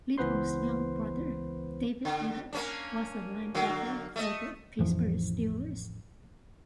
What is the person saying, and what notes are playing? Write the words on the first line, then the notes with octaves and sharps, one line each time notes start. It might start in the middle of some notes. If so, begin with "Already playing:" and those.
Little's younger brother, David Little, was a linebacker for the Pittsburgh Steelers.
C#2 E3 B3 B4 C5 C6
D3
A#3 C#4 D4
D3 F#3 A#3
A3 D#5
A1 F2 E3 F3